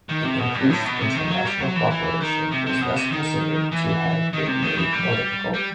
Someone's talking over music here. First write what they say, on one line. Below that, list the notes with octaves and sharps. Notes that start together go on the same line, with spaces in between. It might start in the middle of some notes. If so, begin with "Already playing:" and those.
The increased international cooperation was thus considered to have been made more difficult.
D#3
C3
B2
G2
A2
B2
C3
D#3
F#3
G3
F#3
E3
E3
D#3
C3
C3
B2
C3
D#3
E3
D#3
C3
D#3
E3
G3
G3